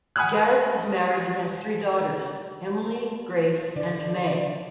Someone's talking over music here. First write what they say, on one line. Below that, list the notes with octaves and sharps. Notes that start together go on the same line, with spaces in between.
Garrett is married and has three daughters, Emily, Grace, and May.
F#5 G#5 B5 D#6 F6 F#6
D3 D5